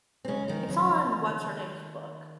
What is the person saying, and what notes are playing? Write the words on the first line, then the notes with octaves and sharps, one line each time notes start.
It's all in what's-her-name's book.
C4
C#3 G#3 C#4
D#3 F3 D#4
C#3 F#3 C#4
F#3
F3
D#3